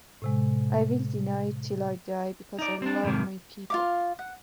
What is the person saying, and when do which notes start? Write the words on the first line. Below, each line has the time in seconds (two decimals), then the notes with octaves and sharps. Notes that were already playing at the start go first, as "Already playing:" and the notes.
I will deny it till I die because I love my people.
0.22 A2 C3 G#3
2.59 D#4 D5
2.82 C4 D4
3.03 F2 G#2 C3 D#3
3.70 F4 F5 D6
4.19 F#5